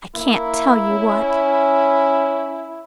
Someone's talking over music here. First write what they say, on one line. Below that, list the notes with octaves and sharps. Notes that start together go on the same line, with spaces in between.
I can't tell you what.
A#3 E4
C#4